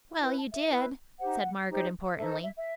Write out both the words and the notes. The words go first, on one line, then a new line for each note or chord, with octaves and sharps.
"Well, you did," said Margaret importantly.
E4 B4 A5
A5
E5
E4 B4
D#4 G4 C5 F#5
D#4 G4 C5
D#4 A4 C5 E5
D#5
E5
E5